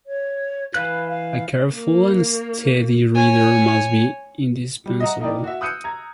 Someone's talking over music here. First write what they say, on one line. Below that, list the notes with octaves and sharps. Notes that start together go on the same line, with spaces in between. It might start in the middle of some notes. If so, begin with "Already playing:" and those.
A careful and steady reader must be indispensable.
C#5
E3 B4 F5 F#6
F5
A#3
C#5 G#5
G3
D#5 E5 F#5 A#5
A#3 D#4 E4 A#4 D5 G5
F#4 E5
D#6 E6 F#6 G6 C#7 D#7
A#5 G#6